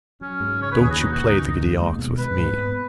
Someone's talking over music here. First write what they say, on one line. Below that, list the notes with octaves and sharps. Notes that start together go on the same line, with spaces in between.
Don't you play the giddy ox with me!
F#3 C#4
G#2
C#3 C#5
B4
D#2 G#4
F#4
B2 D#4
F#4
C#2
D#4
D#3
D#2
G#3
B2
G#3 B4
G#2
B3